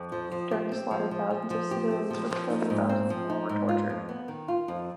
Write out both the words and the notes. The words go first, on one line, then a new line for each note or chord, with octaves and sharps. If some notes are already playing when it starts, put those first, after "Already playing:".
During the slaughter, thousands of civilians were killed and thousands more were tortured.
Already playing: F2
F3
F3
G4
C4
F3
F3
F3
F3
G4
C4
F3
F3
D#4
G#2
C4
F3
D#4
G#2
F4
F2
B3
D#3
F4
F2